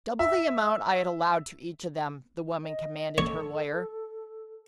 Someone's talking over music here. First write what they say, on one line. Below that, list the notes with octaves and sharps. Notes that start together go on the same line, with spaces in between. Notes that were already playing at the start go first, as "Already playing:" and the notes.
"Double the amount I had allowed to each of them," the woman commanded her lawyer.
E5
D#5
A4 C#5